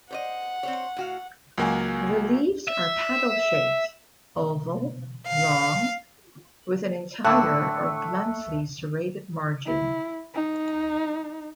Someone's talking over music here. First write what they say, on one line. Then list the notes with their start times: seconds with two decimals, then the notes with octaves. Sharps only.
The leaves are paddle-shaped oval, long, with an entire or bluntly serrated margin.
0.11 C5 C#5 D#5 F#5
0.63 C4 C5 C#5
0.97 A2 F#4 F5
1.58 C#2 F#3 A#3 F#4 G#5
2.67 E5
5.27 F5
7.25 A2 D3 A3 E6 F#6
9.66 E4
10.34 D#4